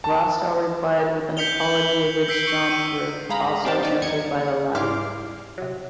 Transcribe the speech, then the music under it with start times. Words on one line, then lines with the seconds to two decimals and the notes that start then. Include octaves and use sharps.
Rastell replied with an "Apology against John Fryth", also answered by the latter.
0.04 A5
1.37 G6 B6 C#7 F7 G7
1.61 F#7
2.28 E6 G6 B6 C7 D7
2.43 C#6 C#7
2.70 D#7
3.29 G#2 G#4 F5 A#5 B5
3.65 C4 D4 G4 F5 G5 A5
3.81 C4 D#4 D5
4.02 D#2 D#4 G#6 C#7
4.75 G#2 G3 E4 C6 D6 F6
5.58 C3 F#3